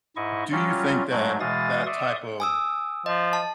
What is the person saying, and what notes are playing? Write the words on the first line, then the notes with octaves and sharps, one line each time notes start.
do you think that that type of
G#2 E4 D#5 C#6
F#3 G3 C#4 F4
G#2 F#3 G#3 A3
B2 E3 G#3 F5 D#6 A6
D5 E5 C6 C#6 D#6
G#5 D#6 E6
F3 D#5
A5